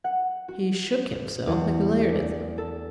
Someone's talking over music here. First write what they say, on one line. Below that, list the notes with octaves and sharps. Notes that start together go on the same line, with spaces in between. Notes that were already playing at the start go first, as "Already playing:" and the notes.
He shook himself and glared at them.
F#5
F#4
E2
D4
A4